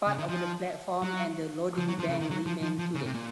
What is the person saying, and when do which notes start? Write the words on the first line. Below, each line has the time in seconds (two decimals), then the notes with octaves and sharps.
Part of the platform and the loading bank remain today.
0.08 C#3
0.18 D#3
0.29 F3
1.02 F#3
1.78 F3
1.88 F#3
1.99 F3
2.09 C#3
2.20 D#3
2.30 F#3
2.46 F3
2.62 F3
2.79 F3
2.95 C#3
3.05 C3
3.15 A#2